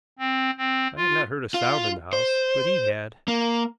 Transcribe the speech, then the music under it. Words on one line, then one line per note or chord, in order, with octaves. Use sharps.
I had not heard a sound in the house, but he had.
C4
C4
F4
F4
C5
A#3